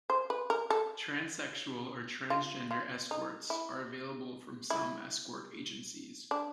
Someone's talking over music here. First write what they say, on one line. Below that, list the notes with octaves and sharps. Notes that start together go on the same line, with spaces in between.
Transsexual or transgender escorts are available from some escort agencies.
C5
B4
A#4
A4
F4
F4
D#4
E4
E4
D4